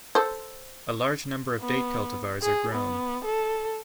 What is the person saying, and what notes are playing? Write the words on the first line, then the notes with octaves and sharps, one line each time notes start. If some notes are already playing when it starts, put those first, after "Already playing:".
A large number of date cultivars are grown.
A4 C5
B3
G#4
B3
A4